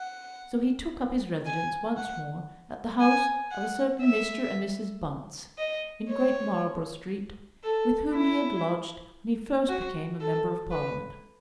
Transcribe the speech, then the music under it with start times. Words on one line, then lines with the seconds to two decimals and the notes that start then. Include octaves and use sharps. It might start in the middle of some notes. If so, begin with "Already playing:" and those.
So he took up his residence once more at the house of a certain Mr. and Mrs. Bunce, in Great Marlborough Street, with whom he had lodged when he first became a member of Parliament.
Already playing: F#5
1.46 G#5
1.97 F#5
3.00 G#5
3.51 F#5
4.02 E5
5.58 D#5
6.09 C#5
7.64 A4
8.14 E4
9.69 F#4
10.20 A4
10.71 B4